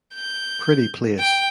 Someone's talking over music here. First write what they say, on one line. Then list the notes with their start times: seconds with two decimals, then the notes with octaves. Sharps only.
Pretty place.
0.14 G6
1.19 G5